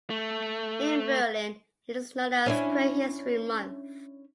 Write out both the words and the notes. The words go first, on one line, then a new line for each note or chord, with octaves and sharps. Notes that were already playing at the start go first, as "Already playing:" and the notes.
In Berlin, It is known as Queer History Month.
A3
C#4 D4 E4